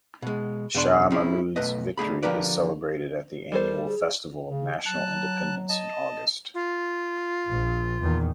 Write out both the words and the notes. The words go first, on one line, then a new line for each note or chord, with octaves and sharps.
Shah Mahmud's victory is celebrated at the annual festival of national independence in August.
B2 G#3
E2 B2 D4 C6
C4 C#4 E4 G#4
B1 A3 B4 D#5
D3 A3 G#4 B5
D3 F3 G4 A#4 B4 D5
G3 A4 A#4 C5
G#4
C#3
F#3 A5 F#6
D#5 A5
F4
A#1
E2 A#2 D#3